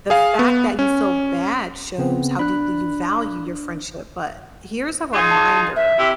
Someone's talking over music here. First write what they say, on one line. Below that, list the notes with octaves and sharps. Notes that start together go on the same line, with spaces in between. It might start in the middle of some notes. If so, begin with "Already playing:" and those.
The fact that you feel bad shows how deeply you value your friendship, but here's a reminder,
G#4 F5
B3
C#4
C#3 B3 C4
D4 B5 F#6
D#4 F4 G#4
A5
E5
C3 E4 G4